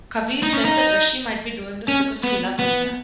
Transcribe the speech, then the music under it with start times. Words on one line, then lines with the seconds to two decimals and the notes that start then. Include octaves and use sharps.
Kabir says that Rishi might be doing this because he loves Niya.
0.43 D#4
0.54 C#4
0.65 D#4
1.88 C#4
2.24 B3
2.60 B3